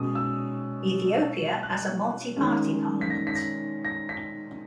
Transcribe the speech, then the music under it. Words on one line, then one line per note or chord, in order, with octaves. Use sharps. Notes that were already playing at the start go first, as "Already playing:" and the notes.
Ethiopia has a multi-party parliament.
Already playing: B2 G#3 C#4 D#6
E6
F#6
D#3 G#3 C#4
B6
A#6
B6
A#6
A#6
B6